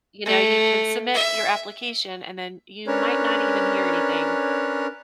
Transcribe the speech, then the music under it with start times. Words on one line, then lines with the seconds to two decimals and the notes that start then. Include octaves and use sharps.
you know? You can submit your application, and then you might not even hear anything.
0.26 A3
1.14 E5
2.87 C#4 D4 A#4 B4 C#5